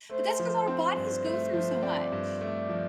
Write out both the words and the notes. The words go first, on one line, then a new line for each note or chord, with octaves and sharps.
but that's 'cause our bodies go through so much.
A3 C5
F3
C4
G2
A3
F3
C4 D5
G2
A3
F3